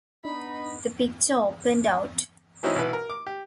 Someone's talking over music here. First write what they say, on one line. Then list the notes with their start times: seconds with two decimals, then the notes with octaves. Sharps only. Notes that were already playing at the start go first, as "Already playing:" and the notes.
The picture opened out.
0.25 B3 D4 D#4 B5
2.63 E3 F#3 C4 C#4 D#4 E4
2.76 B1 E3 B4
2.93 A#4
3.10 D6
3.27 G4